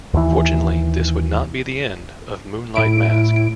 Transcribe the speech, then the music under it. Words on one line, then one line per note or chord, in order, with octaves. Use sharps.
Fortunately, this would not be the end of Moonlight Mask.
D#2 E3
A2 E4 D7